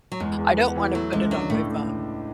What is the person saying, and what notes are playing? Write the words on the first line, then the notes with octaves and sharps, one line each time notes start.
"I don't want to put it on my phone."
F#3
E2 G#3
E2
B3
E3
F#3 A3
C#2 G#3
F#3 D4
A2 A3